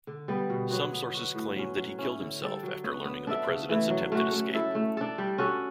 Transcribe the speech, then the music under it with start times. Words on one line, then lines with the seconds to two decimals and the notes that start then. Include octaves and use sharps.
Some sources claimed that he killed himself after learning of the President's attempted escape.
0.07 D3
0.28 G3 B3
0.50 B2
0.71 F#3 B3 F#4
0.92 B3
1.14 F#4 B4
1.35 A2
1.56 F#3 C#4
1.77 F#3
1.99 C#4 E4
2.20 D3
2.42 G3 D4 A4
2.63 F#3
2.84 B3 F#4 C#5
3.05 B3
3.27 D4 A4 E5
3.48 C#3
3.69 E3 A3 E4
3.90 F#3
4.12 A3 C#4 F#4
4.33 A3
4.54 E4 A4 E5
4.75 A3
4.97 D4 A4
5.18 G3
5.38 C#4 F#4 A4